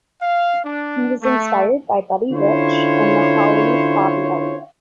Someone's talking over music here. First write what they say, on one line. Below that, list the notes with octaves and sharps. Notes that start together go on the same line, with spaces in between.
He was inspired by Buddy Rich and The Hollies' Bobby Elliott.
F5
D4
A3
D3 C#4 E4 F4 C5 C#5